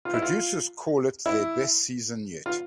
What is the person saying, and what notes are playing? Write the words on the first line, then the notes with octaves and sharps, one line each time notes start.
Producers called it their best season yet.
F4
E4
F4
E4
F4